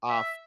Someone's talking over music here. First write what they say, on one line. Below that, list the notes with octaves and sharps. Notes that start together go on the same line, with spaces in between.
uh, f f
E5